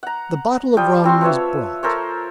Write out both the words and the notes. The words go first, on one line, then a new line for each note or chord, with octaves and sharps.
The bottle of rum was brought.
F#5 A#5
F3 G3 G5 D#6
G3 C4 F#4 C6
F3 B4 C#5 E5
A4 A#4 C5 C#5